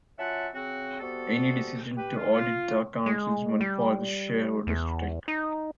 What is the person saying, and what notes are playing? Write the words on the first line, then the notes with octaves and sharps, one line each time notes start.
Any decision to audit the accounts is one for the shareholders to take.
F#3 C#4 F4 E5 F#5 A5
C#3 C4 F#4
C3 G3 B3 F#4 A4
G4 B4
E3 F3 G3 G#3 F4
F4
G#3
G3
E2
D#4